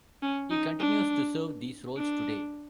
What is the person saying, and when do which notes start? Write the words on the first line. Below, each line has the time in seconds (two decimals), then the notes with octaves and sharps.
He continues to serve these roles today.
0.22 C#4
0.51 D#4
0.80 D4
1.97 D4